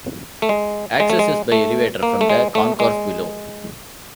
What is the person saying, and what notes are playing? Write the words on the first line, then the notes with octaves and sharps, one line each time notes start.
Access is by elevator from the concourse below.
A3
G#3
G#3
A3
G#3
A3
A#3
A3
G#3
A3
G#3